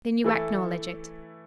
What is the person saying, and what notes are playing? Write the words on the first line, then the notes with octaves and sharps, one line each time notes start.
"Then you acknowledge it?"
E3 A3 E4 A4